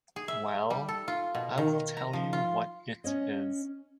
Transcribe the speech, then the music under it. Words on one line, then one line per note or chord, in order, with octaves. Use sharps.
Well, I will tell you what it is.
G#4
E5
G3
A4
F4
B2
D#3
A#5
F3
F4
C#4 C#5 D#5